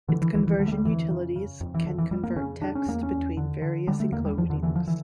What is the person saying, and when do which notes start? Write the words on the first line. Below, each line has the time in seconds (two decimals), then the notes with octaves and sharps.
Its conversion utilities can convert text between various encodings.
0.08 D3 E3
0.22 E3
0.34 D2 E3
0.47 E3
0.59 D3 G3
0.68 A3
0.72 G3
0.84 F2 E3
1.10 C#3
1.36 C#3
1.61 F2
1.74 E3
1.86 F2 D3
1.98 E3
2.11 F2 G3
2.24 A#3
2.36 C#3 C#4
2.61 C#3 D4
2.75 C#4
2.86 E2 A#3
3.03 C#4
3.12 E2
3.37 D3
3.62 D3
3.87 D3 G3
4.00 A3
4.12 E2 A#3
4.25 G3
4.37 E2 F3
4.50 D3
4.63 D3 E3
4.76 F3
4.88 E3